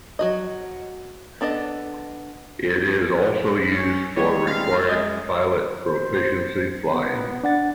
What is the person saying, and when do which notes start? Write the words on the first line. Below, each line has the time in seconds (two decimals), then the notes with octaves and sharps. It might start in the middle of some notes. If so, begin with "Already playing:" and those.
It is also used for required pilot proficiency flying.
0.19 F#3 F#4 D#5
1.41 B3 D4 A4 D#5
3.74 C#4
4.16 E3 G3 G#3 C#5
4.47 C#3 C4 F5
4.89 F#2 G#3 D#5
5.83 C5
6.90 B3
7.44 D4 F#5 A6